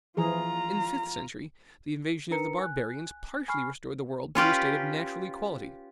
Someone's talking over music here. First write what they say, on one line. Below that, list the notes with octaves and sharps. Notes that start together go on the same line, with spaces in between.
In the fifth century, the invasion of the Barbarians partially restored the world to a state of natural equality.
E3 F3 F4 G#4 A#5
D4 D#4 A#4 B4 A#5 C#7
G#5 F#6
G#5 B5 C#6 F6 C7
C#4 F4 G4 B4